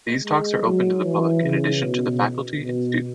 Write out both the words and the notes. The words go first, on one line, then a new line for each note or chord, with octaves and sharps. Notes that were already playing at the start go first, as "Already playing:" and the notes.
These talks are open to the public in addition to the faculty and students.
G#3
F#3
E3
C#3
B2
B2